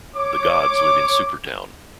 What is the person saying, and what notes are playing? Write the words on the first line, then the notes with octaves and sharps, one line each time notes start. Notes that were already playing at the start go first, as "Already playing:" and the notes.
The gods live in Supertown.
C#5 D6